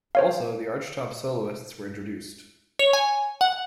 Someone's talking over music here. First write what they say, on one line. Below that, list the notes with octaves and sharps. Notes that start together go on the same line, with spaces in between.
Also, the archtop Soloists were introduced.
C5 C#5 F5
C#5
G#5
F#5